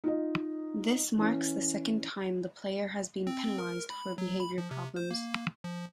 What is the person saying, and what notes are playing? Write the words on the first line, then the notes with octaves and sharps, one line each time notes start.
This marks the second time the player has been penalised for behaivour problems.
D#4 F4 D#5
E3 C#4
C4
A#4
B5
F#3
B5
F3
C3
C5
A#3
F3